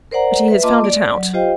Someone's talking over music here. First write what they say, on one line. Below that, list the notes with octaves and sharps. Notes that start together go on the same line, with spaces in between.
But he has found it out.
A#4 C5 D5 F#5 A#5
B4 E5
A#3 F4 D#5 A5 C6 D6
D5
F#3
F4 G4 C5 D#5 F5 G5